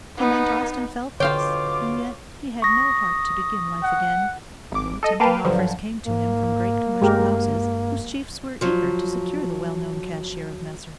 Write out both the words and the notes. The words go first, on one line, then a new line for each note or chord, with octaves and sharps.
Clement Austin felt this, and yet he had no heart to begin life again, though tempting offers came to him from great commercial houses, whose chiefs were eager to secure the well-known cashier of Messrs.
B3 D#4
B2 D3 F4 C5 C#5 F5 G5 D6
C#6 D#6 A#6
F#5
G#1 D6
A4 D#5
A#3 B4 F5 G5 A5
G2 D3 F3 F#3
G#2 A#3
G2 G#3 G4 A#4
F3 F#3